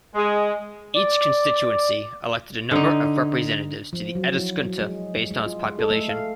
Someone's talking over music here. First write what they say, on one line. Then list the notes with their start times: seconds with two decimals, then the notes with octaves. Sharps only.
Each constituency elected a number of representatives to the Eduskunta based on its population.
0.15 G#3
0.94 D5
2.71 D3 D#4
3.93 F3
4.15 F#3
4.35 E4
4.64 F#3
4.80 G#3
5.16 G#3
5.31 G#3
5.46 F4
5.66 G#3
5.79 A4
5.90 A3
6.09 F5